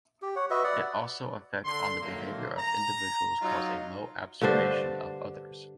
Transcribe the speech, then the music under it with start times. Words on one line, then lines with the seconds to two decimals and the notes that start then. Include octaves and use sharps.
It also affect on the behavior of individuals cause a low abservation of others.
0.22 G4
0.36 C#5 F#5
0.50 F#4 B4 D#5 E5
0.64 D5 F#5
1.65 D3 C6
2.02 D3 D#3 F#3 A3 A#3
2.57 A#5
3.42 F#3 D#4 F4
4.41 G2 D3 D4 C5